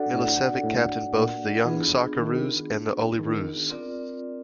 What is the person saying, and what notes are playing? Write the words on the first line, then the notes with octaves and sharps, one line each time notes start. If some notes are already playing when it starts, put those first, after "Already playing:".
Milicevic captained both the Young Socceroos and Olyroos.
Already playing: D4 F#4 A4 D5 F#5
A2
A2
A#2
E3 B3 D4 F4 G#4
D#3
D#3
C4 F4 A#4 D5